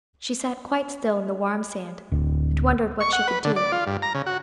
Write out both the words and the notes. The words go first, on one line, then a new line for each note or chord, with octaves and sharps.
She sat quite still in the warm sand, and wondered what she could do.
D1
C#6
F#5
B4
D3
D5
F4
G2
A#5
C#3
F#4